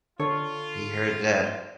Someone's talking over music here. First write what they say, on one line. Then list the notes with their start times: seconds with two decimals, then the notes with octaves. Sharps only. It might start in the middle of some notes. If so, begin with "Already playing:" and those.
He heard that.
0.20 D3 F4 A4 C#5